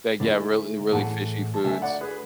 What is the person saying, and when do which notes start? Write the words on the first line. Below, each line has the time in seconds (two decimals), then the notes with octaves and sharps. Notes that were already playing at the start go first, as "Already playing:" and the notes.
they get really, really fishy foods.
0.20 D3 A3 E4 G#4
0.92 A2 E3 A3 E4 G#4 F#5 A5
1.54 A5
1.64 D2 D3 A3 E5 G#5
1.82 D5 F#5
2.01 G#4 B4